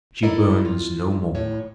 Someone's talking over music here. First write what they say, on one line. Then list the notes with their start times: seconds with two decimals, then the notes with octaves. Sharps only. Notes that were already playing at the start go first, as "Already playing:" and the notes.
"She burns no more."
0.23 E4 A4 A#4 D5 D#5
0.65 F4
1.35 A2 C#5